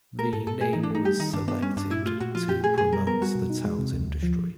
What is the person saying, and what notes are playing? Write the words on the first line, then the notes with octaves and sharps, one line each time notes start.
The name was selected to promote the town's industry.
A3 A#4
G#2 A4
G#2 A4
A3 G#4
E3 D#4
D4
A3 D#4
G3 G4
D#3 D#4
G2 D4
B3 D4
G3 C#4
G2 D4
A#2 E4
A3 F4
A#2 F#4
F3 F4
A#2 G4
A3 G#4
B2 G#4
G3 A#4
B3 A#4
G3 F#4
B2
D#4
G#3
C3
D2
D2
F3